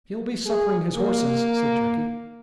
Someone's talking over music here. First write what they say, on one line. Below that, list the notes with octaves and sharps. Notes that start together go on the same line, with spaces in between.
"He'll be suppering his horses," said Turkey.
G#4
A#3